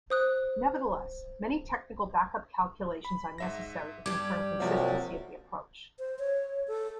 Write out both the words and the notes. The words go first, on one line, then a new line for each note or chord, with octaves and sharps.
Nevertheless, many technical back up calculations are necessary to confirm consistency of the approach.
C5 D#6 F#6
B5
G#2 E5 A#6
G2 G3 D6 G#6
C2 C3 F3 F#3 A#3
C5
C#5
A4